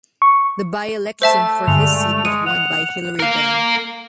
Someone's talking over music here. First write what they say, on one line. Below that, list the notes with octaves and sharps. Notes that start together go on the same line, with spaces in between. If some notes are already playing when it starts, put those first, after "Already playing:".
The by-election for his seat was won by Hilary Benn.
C#6
A3 C5 E5 A5 E6
G2 D3 G#3 F7
G#3 C#7 D#7
F#5 F7
A#4 F5